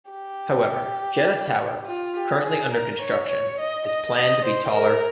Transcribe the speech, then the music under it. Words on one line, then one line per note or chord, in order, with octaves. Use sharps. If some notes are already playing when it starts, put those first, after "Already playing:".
However, Jeddah Tower, currently under construction, is planned to be taller.
G4
F4
G4
G#4
A#4
C#5
C#5
D#5
D#5
D#5
C5
A#4